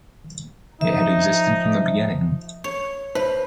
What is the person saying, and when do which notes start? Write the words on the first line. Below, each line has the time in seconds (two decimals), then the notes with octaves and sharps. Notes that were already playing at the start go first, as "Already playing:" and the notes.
It had existed from the beginning.
0.81 F3 D#4 E5
2.64 C#5
3.15 B4 C5